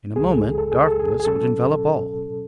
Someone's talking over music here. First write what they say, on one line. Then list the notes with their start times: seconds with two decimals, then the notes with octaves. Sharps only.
In a moment darkness would envelop all.
0.16 C#2 C#3 G#3 G#4
0.30 A4
0.44 G#4
0.58 A4
0.72 G#4
0.85 A4
0.99 G#4
1.20 G#4
1.25 B2 F#3 C#4 A4